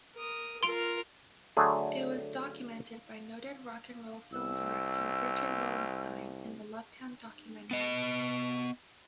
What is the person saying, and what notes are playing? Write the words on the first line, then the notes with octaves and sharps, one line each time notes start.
It was documented by noted rock'n'roll film director Richard Lowenstein in the "LoveTown" documentary.
A#4 D#6
F4 A#4 C6 D7 F7
D3 F#3 A3 G#4
C2 E6
B3 D#5